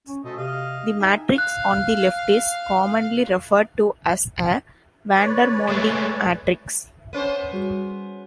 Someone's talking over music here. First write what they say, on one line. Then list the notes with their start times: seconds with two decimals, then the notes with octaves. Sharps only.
The matrix on the left is commonly referred to as a Vandermonde matrix.
0.07 C#4
0.24 B2 A3 C5 D#5
0.37 C3 D#5 F5
0.99 D#4 G#4 E5 G5
1.38 F5 F#6
5.19 B4 C#5 D5
5.69 G#3 A3 G#4
7.13 B3 C#4 C5 D#7
7.53 G3 F#4 G#4